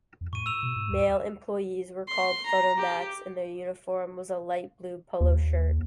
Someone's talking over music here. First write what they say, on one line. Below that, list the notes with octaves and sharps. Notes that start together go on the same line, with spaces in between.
Male employees were called "Fotomacs" and their uniform was a light blue polo shirt.
F2
A2 C#6 D#7
E6 E7 F7
B2
G#2
D#2
C6
A#5
G4
D#2